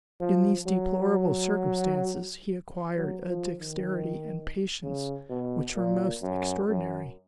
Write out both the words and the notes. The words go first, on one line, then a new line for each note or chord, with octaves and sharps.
In these deplorable circumstances, he acquired a dexterity and patience which were most extraordinary.
F3
F#3
F#3
F3
D#3
C#3
B2
A#2
F#2
F#2